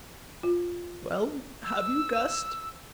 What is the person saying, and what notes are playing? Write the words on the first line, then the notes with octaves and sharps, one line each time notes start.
"Well, have you guessed?"
F4
E6